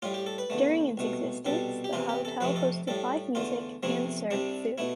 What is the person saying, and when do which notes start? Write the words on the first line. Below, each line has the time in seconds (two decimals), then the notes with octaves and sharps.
During its existence, the hotel hosted live music and served food.
0.02 A2 G3 F4
0.14 G4
0.26 A4
0.38 B4
0.50 E2 D3 A3
0.97 C2 B2 A3
1.45 C2 B2 G3 A4
1.84 G4
1.93 E2 C3 E3 F4
2.09 G4
2.25 A4
2.41 F2 C3 F3 A3 B4
2.56 A4
2.87 A2 G3 A4
3.35 E2 D3 A3 F4
3.83 E2 C3 F3 A3 E4
4.31 C2 C3 G3 D4
4.78 B2 A3 E4